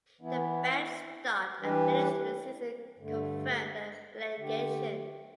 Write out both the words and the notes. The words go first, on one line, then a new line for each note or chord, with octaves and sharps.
The bad start and finish to the season confirmed the relegation.
E3 B3 E4
E3 G3 D4 G4 B4
G2 D3 A3
D3 A3 G4